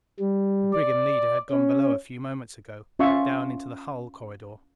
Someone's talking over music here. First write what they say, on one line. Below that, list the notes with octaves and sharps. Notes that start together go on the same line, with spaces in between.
The brigand leader had gone below a few moments ago, down into the hull corridor.
G3
D5
C#4
C#4 F4 E5 C#6